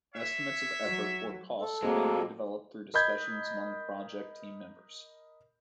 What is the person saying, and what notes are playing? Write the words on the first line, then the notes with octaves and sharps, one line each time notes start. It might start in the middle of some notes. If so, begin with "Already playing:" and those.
Estimates of effort or cost can be developed through discussions among project team members.
C#5 E5
F#3
A4
F#3 G#3 A#3 C4 G#4
A#4 D#5 B5 G6 G#6